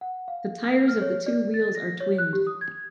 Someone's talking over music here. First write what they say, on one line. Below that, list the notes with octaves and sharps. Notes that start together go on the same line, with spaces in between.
The tires of the two wheels are twinned.
F#5
F5
F6
C#5
D5
A6
A#6
C#5
F#6
G4
D#6
G#6